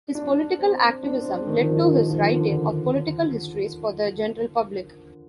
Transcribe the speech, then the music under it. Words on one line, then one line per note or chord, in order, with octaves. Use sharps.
His political activism led to his writing of political histories for the general public.
D4
C4
D4
C4
D4
D#3
F3
D#3
F3
D#3
F3
D#3
D3